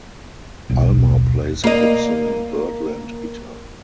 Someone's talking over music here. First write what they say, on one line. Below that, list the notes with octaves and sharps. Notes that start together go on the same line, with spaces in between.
Ulmer plays a Gibson Byrdland guitar.
D#1 B1
A#3 D#5